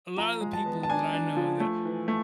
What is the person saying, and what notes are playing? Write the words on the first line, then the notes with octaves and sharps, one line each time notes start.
a lotta the people that I know that
F3 A#5
G#3
A5
B3
A5
D4 G#5
D4
F3
A3
E3
A3